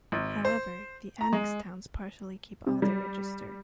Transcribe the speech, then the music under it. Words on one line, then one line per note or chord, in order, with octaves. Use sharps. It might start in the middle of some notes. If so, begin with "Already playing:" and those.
However, the annexed towns partially keep all their register.
G#1
C5
A#5
G#3
C3
G3